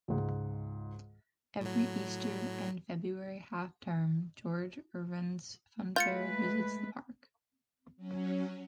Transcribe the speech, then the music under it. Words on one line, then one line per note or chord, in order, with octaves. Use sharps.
Every Easter and February half-term George Irvin's Funfair visits the park.
C#2 G#2
A2 F#3
G#3 A3 F4 B4 G6 A6 C#7
F#3 C#4